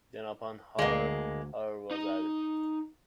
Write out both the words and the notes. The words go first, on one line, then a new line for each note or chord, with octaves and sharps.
Then upon horror, horror was added.
D2 G#3 A#3
D#4 D#5